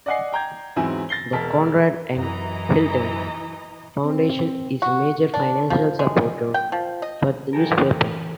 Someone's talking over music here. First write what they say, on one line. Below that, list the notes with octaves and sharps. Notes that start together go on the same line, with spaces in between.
The Conrad N. Hilton Foundation is a major financial supporter of the newspaper.
D5 D#5 F#5 G#5 C7
G5 A#5 G6 G#6
E2 G#2 F#3 C4 E4 G#5
A6 A#6 C7 G7
E1 A#4 A5 B6
F#2 E3 D#5 A#5
C4
F#4
D4
F3
G#3
G5
F3
D#5
E3 G4 A4 A#4